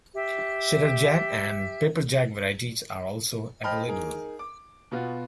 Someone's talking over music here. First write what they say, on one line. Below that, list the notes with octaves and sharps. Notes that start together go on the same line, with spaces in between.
Cheddar-Jack and Pepper Jack varieties are also available.
G4 E5
C5 D#5 G5 A5 B5 F6
D#4 G#4 A#4
D6
B2 B3 F4 F#4